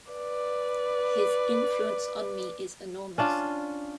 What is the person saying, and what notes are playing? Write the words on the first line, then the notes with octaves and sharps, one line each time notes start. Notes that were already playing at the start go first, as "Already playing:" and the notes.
His influence on me is enormous.
B4 D5
C#4 D4 F4